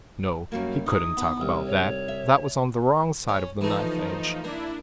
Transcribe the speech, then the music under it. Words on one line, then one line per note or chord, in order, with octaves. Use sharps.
No, he couldn't talk about that; that was on the wrong side of the knife-edge.
F#2 G3 A#3 F#4
D#4 E4 D#6
B3
C2
C#5
E5
C#4
E3 F3 A3 D#4
A#3 D4 E4